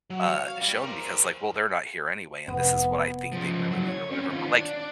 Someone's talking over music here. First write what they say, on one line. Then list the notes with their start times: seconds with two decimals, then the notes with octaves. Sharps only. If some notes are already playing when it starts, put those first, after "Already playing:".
uh, shown because, like, well, they're not here anyway, and this is what I think they really need or whatever. But, like
0.10 F#3
0.27 C#5
0.46 F5
0.61 G3
0.84 A#4 C5
2.48 F1 B3
3.32 C#3 F3
3.71 C#3 F#3
3.88 C#5
4.11 C4 C#4
4.29 D#3 F4
4.47 D4